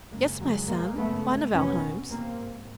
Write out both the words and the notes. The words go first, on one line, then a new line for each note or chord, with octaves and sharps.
"Yes, my son, one of our homes."
F#2 C#3 G#3 A#3
F2 C#3 F#3 G#3
E2 B2 G#3 A#3
F#2 C#3 A3 B3
G#2
F2 C3 B3 C#4
E2 B2
E2 C3 A#3 C4
G#2